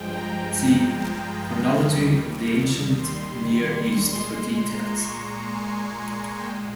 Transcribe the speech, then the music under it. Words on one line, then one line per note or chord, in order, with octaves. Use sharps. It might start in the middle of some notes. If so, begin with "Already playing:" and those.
See Chronology of the Ancient Near East for details.
Already playing: G2 F3 G#3 G5
A#5
G5
D#2 D#3 G3
C6
A#2 G#3 C6
A#5
C#6
A#5
G#5
A#2 G#3 G5